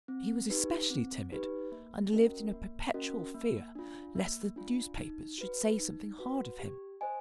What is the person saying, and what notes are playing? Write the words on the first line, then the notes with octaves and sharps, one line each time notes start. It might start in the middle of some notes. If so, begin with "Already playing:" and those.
He was especially timid, and lived in a perpetual fear lest the newspapers should say something hard of him.
C4
D#4 G4 B4
C4
D#4 G4 B4
A#3
C#4 F#4 A#4 D#5
A#3
C#4 F#4 A#4 D#5
A#3
D4 F4
A#3
D4 F4
D#4
F#4 B4
D#4
F#4 B4
G4
C5 D#5 G#5